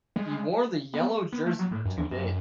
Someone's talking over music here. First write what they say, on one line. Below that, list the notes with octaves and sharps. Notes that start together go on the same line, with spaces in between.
He wore the yellow jersey for two days.
G#3
B3
B3
A3
F#3
A2
F#2
E2
F#2